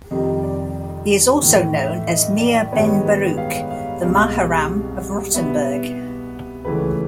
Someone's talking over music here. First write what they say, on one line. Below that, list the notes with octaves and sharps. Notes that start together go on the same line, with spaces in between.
He is also known as Meir ben Baruch, the Maharam of Rothenburg.
F2 C3 D#3 G3 D#5
D5
A2 E3 A3
E5
D#5
D5
D5
G2 D#3 G#3 B3 C#5
B4
F5
F5
C2 B2 G#3 F5
B2 G3 B3 E5
C#2 C#3 E3 A3 B4